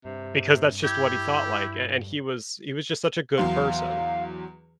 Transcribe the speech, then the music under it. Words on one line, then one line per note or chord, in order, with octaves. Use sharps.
because that's just what he thought like, a and he was he was just such a good person.
G2 C3
E4 G4 G6 G#6
E2 F#3 F5 C6